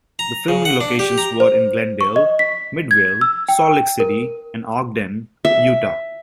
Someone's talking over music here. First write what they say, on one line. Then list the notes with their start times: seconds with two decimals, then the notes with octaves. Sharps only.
The filming locations were in Glendale, Midvale, Salt Lake City, and Ogden, Utah.
0.19 A#5
0.48 C#3
0.65 F#5
0.81 D4
0.99 G4
1.18 A#5
1.40 C5
2.01 C#6
2.16 D#5
2.39 B6
2.91 G#6
3.21 E6
3.49 G5
4.00 A#4
5.45 E5